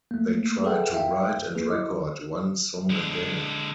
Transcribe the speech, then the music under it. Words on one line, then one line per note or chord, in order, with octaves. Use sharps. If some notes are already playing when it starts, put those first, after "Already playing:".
They tried to write and record one song a day.
A3 A#3
G#4 A4 B4 E5 F#5 G5
A#4 E5 F5 G5
A#3 E4 G#4 B4
E4 D#5 D6
D3 G#3